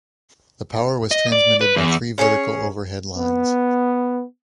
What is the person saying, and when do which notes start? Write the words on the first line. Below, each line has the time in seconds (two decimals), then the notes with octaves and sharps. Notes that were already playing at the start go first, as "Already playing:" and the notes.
The power was transmitted by three vertical overhead lines.
1.11 D#5
1.32 D5
1.61 B4
1.76 E2
2.18 C#4 G#4 A4 C#5
3.18 B3